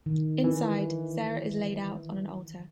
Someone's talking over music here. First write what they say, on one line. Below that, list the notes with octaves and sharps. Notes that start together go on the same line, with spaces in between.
Inside, Sarah is laid out on an altar.
D#3
E3